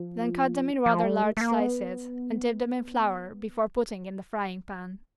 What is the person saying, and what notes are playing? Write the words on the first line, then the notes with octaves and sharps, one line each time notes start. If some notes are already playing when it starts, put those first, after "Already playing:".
Then cut them in rather large slices and dip them in flour before putting in the frying pan.
Already playing: F3
F3
G3
A3
A3
A#3
B3